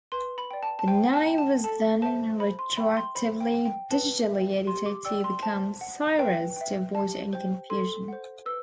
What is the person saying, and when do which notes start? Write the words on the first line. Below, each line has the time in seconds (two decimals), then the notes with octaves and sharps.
The name was then retroactively digitally edited to become "Cyrez" to avoid any confusion.
0.12 B4 C6
0.38 B5
0.51 D5 G5
0.63 A5
0.79 A5
0.88 C5 G5
1.14 A5
1.26 G5
1.38 A5
1.64 A4 A5
2.02 C5 E5 A5
2.40 C5 B5
2.59 C6
2.77 E5 G5 B5
2.97 C6
3.15 C5 B5
3.41 G5
3.54 G5
3.65 G5
3.91 B4 A5
4.29 E5 G5
4.67 G4 C6
4.86 D6
5.05 D5 G5 E6
5.24 C6
5.43 C5 A5
5.81 F#5
6.19 B4 G5
6.56 E5 G5
6.95 G4 A5
7.33 C5 G5
7.70 A4 C6
8.08 C5 F#5
8.46 B4 E6